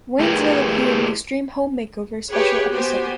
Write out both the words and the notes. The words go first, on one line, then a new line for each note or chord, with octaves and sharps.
Wanyesville appeared in Extreme Home Makeover Special Episode.
A3 E4 G4 G#4 A#4 B4
G4 G#4 B4 C#5
B3 F#4 G4 C5 G#5